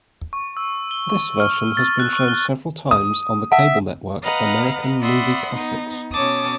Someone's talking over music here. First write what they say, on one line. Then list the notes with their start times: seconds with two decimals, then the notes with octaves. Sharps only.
This version has been shown several times on the cable network American Movie Classics.
0.33 C#6
0.57 E6
0.91 G7
1.09 C#6
1.40 F6
1.77 A6
2.00 F#6
2.13 C#6
2.28 G7
2.91 D#6
3.52 E5 F#5
4.22 B4 D#5 F5 F#5 A#5
5.01 D5 E5 F#5 B5 C6 D#6
5.54 B3 D#4
6.11 B2 C#4 C#5 A5 D6 D#6